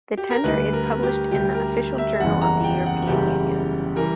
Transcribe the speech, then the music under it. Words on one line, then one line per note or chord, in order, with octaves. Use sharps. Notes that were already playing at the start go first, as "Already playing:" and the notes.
The tender is published in the "Official Journal of the European Union".
G4
A#4
D2 D3 G3 B4
A#4
G4
D2 D3 G3 G4
A#4
E5
F#1 E2 C#3 E3 G3 F#5
A#5
G5
F#5
F#1 E2 C#3 E3 G3 G4
E3 G3 A#4